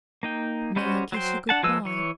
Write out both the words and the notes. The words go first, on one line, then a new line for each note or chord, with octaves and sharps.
"May I kiss you good-by?"
A#3 D#4 G5
G3 G#3 C#4 F#4 C5
F#3 C5 G5
D4 F#5 A5
F3 G#3 B4 E6
E3 C#5